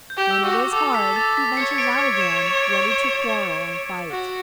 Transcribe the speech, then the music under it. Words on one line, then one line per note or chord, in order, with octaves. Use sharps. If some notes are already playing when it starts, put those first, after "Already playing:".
When it is hard, he ventures out again, ready to quarrel and fight.
G6
G4
E6
F#4 C#6
D6
A4 D6
B6
A6
B6
C#5 C#7
C#7
D7
E7
D7
E7
D7
D7
C#7
F#4